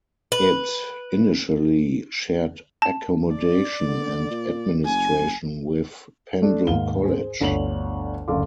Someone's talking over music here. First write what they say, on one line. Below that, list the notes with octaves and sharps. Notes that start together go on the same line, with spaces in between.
It initially shared accommodation and administration with Pendle College.
B4
A5
D5
D3
A#2
F#1 G#5
A3 D4
D#2 G#2 F5 G7
G#4 C5
G1 D2 C#5 F7 F#7
F#1 D2 A4 F5 C6 D6